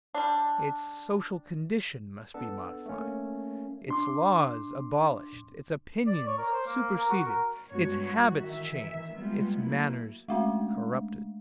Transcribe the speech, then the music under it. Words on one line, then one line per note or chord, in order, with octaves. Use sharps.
Its social condition must be modified, its laws abolished, its opinions superseded, its habits changed, its manners corrupted.
G3 D4
B3 D4 A4
A3 A#3 C#4
D4 C6 D6
D5
C#5
A#4
C5
A#3
A#4
F#4
A#4
G2 G#3 B3 F#4 C#5
G3 F#4
D#3 E3 E5
G3 G#3 A#3 B3 F4
F#3 A3 A#3 E4
G#3 A3 D4